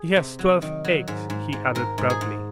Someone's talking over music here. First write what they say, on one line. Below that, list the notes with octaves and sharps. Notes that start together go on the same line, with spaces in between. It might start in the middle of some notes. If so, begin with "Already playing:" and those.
"She has twelve eggs," he added proudly.
Already playing: G#4
C3
F#3
D#3
F#3
G#2
G#2
G#2
G#2 A#4
G#2
G#4
G#2